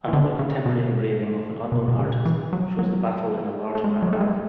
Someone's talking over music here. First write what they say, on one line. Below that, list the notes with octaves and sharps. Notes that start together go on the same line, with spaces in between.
Another contemporary engraving of an unknown artist shows the battle in a large panorama.
E3
D3
C#3
B2
B2
B2
C#3
E3
F#3
F#3
A3
G#3
F#3
A3
G#3